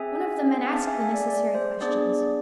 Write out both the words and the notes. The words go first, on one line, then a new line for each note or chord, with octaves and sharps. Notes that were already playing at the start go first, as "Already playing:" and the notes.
One of the men asked the necessary questions.
Already playing: C4 G#4 E5 G#5
F5 A5
E5 G#5
E5 G#5
D5
D5
C5
B3 D4 G#4 D5